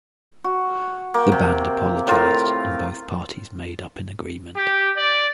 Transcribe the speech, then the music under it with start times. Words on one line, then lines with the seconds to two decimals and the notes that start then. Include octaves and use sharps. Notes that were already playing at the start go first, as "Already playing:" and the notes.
The band apologized, and both parties made up in agreement.
0.44 F#4
1.14 A#3 G5
1.32 C3
2.07 A2 F4 A#4
4.56 G4
4.96 D5